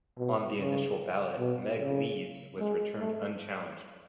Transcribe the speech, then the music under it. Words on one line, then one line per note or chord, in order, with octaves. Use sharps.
On the initial ballot, Meg Lees was returned unchallenged.
B2
C#3
B2
C#3
G#3
A3